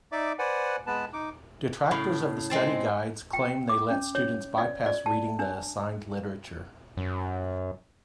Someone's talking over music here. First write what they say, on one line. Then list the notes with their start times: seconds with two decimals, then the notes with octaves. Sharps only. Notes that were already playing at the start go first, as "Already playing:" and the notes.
Detractors of the study guides claim they let students bypass reading the assigned literature.
0.12 D#4 D5 E5 D6
0.39 B4 C5 D5 F#5 G#5
0.87 G#3 B3 B4 A5
1.13 D#4 D6
1.91 A2 C#3
2.50 G#3 C4 A5
3.33 G5
3.69 D6
3.91 C#4
4.15 C#5
4.58 D5
4.86 D5
5.06 A5
5.39 D4
6.97 F#2